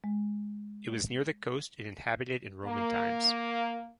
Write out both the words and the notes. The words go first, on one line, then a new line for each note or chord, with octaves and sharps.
It was near the coast and inhabited in Roman times.
G#3
A#3